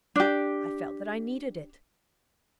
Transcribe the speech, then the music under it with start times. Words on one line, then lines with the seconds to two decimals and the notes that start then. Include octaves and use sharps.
I felt that I needed it.'
0.16 D4 G4